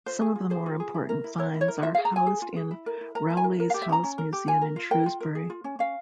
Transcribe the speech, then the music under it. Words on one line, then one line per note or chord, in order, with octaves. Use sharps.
Some of the more important finds are housed in Rowley's House Museum in Shrewsbury.
F4 C5
G#4
F4
G#4 C5
F4
G#4
E4
A#4
E4
A#4 C#5
E4
C#5
A#4
F4 E5
F5
G#4
A#5
F4 G#5
G#4
F4
G#4
E4
A#4
E4
A#4 A#5
E4
G#5
A#4
A#4
F5
G4
E5
C#4 A#5
C#4
A#4
G4
F4 G#5
A#4
F4
A#4 G5
F4
A#4
G#4
F4
C#4
C#4 F5